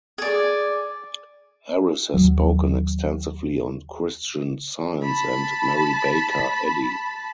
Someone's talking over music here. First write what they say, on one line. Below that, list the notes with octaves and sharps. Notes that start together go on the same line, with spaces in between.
Harris has spoken extensively on Christian Science and Mary Baker Eddy.
G#4 D5
D#2 F#3
A5 B5